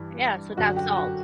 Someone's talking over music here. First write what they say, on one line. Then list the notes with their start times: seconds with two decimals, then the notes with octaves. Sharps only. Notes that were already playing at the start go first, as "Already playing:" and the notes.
Yes, without salt.
Already playing: G2 E3
0.57 F#2 D3 F#4
0.76 G4
0.97 F#4